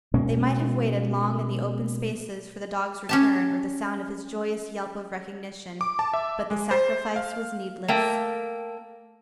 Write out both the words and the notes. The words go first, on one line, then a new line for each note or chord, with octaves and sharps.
They might have waited long in the open spaces for the dog's return or the sound of his joyous yelp of recognition, but the sacrifice was needless.
B2 G#3 A#3 C#4
C#4 G4 A5
D6
A5
E5
G#3
C5
F5
A3 A#3 G5